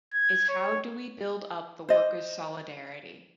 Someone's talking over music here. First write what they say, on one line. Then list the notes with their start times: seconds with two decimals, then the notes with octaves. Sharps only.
It’s how do we build up the workers’ solidarity.
0.13 G#6
0.49 C#5
1.89 C5 D#5